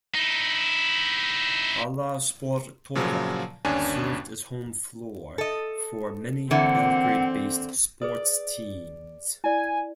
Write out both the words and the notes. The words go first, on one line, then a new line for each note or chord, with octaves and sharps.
Hala sportova served as home floor for many Belgrade-based sports teams.
D#4 E4
A#2 C#3 F3 F#3
G1 D#2 C#4 D4 G#5
A4 D#5
D3 E3 A#3 C4 F#5
G#4 B4 D5 D#6
E4 D5 G#5